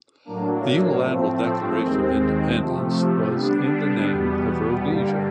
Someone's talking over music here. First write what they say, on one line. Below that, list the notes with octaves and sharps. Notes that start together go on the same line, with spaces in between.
The Unilateral Declaration of Independence was in the name of Rhodesia.
A2 F#3 A#3 D4
A2 F3 A3 C4
D#2 D#3 G#3 C4
C3 F3 A3
D3 G3 B3 D4
E2 B2 G3 B3
G2 D3 G3 A#3